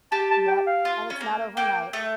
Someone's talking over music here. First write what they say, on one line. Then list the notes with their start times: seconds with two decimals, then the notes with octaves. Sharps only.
Yep, and it's not overnight.
0.12 G4 A5
0.31 A5
0.48 G5
0.67 F5
0.85 F4
1.10 C#4
1.21 A#3
1.56 A#3 G5
1.93 A3